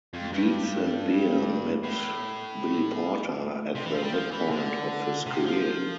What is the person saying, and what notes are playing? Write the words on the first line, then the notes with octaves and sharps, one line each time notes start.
Dietz and Beer met Billy Porter at the midpoint of his career.
F2
G2
A2
C3
E3
F3
G3
F3
E3
D3
C3
F3